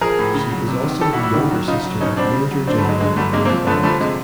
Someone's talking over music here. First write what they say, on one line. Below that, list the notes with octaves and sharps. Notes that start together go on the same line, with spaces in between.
She is also the younger sister of Major General Maria Barrett.
F3 G#4 A#4
A2
C#3
F#3
C3
D#3
E3 G4 A4
E4 F#4
G3
E4 F#4
D#3
F#3
C#3 D#4 F4
F#3
B2 C#4 D#4
G3 C4 D4
C#3
F#3
D3 C4 D4
G3 A3
F#3 G#3
D3 G#3
F#3 G3 A3
C3 G#3 A#3
A#3 C4
F3
D3 A3 B3
F3 G3 A3
C3 G#3